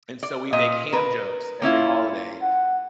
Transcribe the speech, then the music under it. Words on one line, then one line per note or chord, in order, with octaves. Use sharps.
and so, we make ham jokes every holiday,
D5
A#2 D#5
A#4 B4
A#3 C#4 E4 F4
F#5